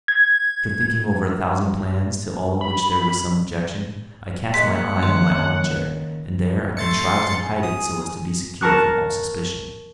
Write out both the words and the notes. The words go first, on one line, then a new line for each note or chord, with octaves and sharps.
After thinking over a thousand plans, to all of which there was some objection, I cast my eyes on my arm-chair, and there I contrived to hide it so as to be secure from all suspicion.
G#6
B5
A#2 G#4 A#4 D#5 F#5 C6 B6
D#3 C#4 C6
A3 C6 A6 C#7
G#4
D#6
A#4 A5 C#6 F#6